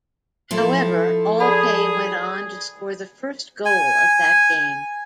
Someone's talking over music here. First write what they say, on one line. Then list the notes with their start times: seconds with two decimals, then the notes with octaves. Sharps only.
However Alpay went on to score the first goal of that game.
0.51 F3 E4 A4
1.40 G#4 D5 A5 B5
3.65 G#5